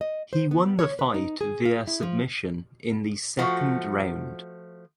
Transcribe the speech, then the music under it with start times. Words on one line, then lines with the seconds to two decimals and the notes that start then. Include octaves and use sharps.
He won the fight via submission in the second round.
0.01 D#5
0.33 C5
0.51 B3
0.79 C#5
0.99 B4
1.14 D#4
1.41 G#4
1.65 F4
1.87 E4
2.03 F3
3.39 F3 A3 F#4